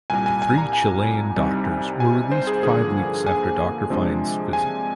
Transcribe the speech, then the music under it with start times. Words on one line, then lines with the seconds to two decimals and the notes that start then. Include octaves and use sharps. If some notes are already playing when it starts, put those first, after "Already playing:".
The three Chilean doctors were released five weeks after Doctor Fine's visit.
0.10 C2 A#2 G3 G#5
0.26 G#5
0.42 G#5
0.58 A#5
0.73 G#5
1.36 C2 C3 G3 C4 D#4
2.00 G#5
2.32 C5
2.47 G#4
2.63 G2 D3 F3 A#3 G#4
3.27 G#5
3.90 C3 F3 G#3 D4
4.53 G#5